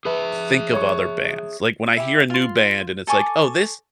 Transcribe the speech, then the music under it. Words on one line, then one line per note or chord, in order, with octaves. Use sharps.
think of other bands, like, when I hear a new band, and it's like, "Oh, this
G#4 B4 E5
C#5 C#6
E4 G4
F4 C6
A4 G#5 C#6 D6